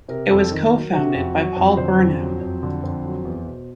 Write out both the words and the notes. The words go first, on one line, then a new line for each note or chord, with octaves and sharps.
It was co-founded by Paul Burnham.
C3 A#4
F2 A4
D#3 A#4
F#3
C3 F#4
F2
F#3 F#4
F2
D3 C5
F2
F#3
F2
D3
F2
F#3
E2
B2